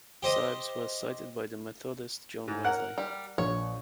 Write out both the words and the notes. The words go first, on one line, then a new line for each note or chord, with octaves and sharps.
Sibbes was cited by the Methodist John Wesley.
G4 C5 D#5
G#2
A#4 F#5 F#6
G3
A#1 C#5